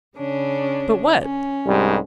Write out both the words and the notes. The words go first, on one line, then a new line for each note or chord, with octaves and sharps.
"But what?"
C#3 C#4 D4
C#4
C2 G#2 G3